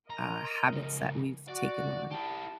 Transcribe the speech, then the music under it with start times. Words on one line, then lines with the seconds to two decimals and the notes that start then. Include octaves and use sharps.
uh, habits that we've taken on.
0.10 A#4 D#5 A#5
0.73 C#3 F3
1.48 F#4 D5 F#5
2.11 E4 G4 A5